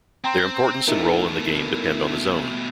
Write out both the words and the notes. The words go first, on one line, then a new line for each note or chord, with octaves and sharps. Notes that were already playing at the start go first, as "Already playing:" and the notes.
Their importance and role in the game depend on the zone.
C4 G5 A#5 C6
B2 A3 D#4 E4 A#4